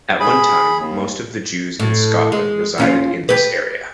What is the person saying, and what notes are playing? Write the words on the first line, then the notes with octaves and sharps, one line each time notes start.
At one time most of the Jews in Scotland resided in this area.
G#4 B5
D#2
A2
G#3
D#2 C#4 F4
G4 B4